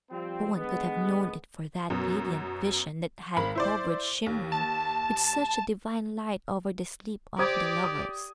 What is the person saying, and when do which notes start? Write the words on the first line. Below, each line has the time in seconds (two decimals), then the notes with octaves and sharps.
No one could have known it for that radiant vision that had hovered shimmering with such a divine light over the sleep of the lovers.
0.10 F3 G3 C4
0.55 D3 G#3 B3
1.90 F#2 B2
3.37 G#1 A#4 B5
3.55 E4 C5 D5
4.26 D#2
4.52 A5
7.38 G4 C5 D5 D#6 G#6
7.84 D#6